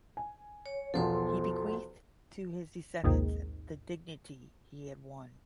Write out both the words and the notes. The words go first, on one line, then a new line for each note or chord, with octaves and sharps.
He bequeathed to his descendants the dignity he had won.
G#5
C#5
B1 E2 F3 A4 C5 C6
A#1 D#2 G#2 C3